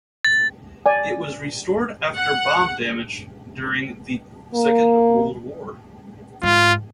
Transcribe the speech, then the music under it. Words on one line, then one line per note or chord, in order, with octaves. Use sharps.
It was restored after bomb damage during the Second World War.
A6
D5 G#5
F#5
A#3
G#2 F4